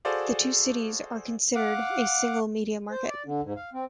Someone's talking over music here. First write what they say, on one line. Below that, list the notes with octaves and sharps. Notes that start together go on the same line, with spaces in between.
The two cities are considered a single media market.
F#4 G#4 A4 C5 D5 F5
F5 F#5 D6
C5
D5
D3
G#2
F5
C4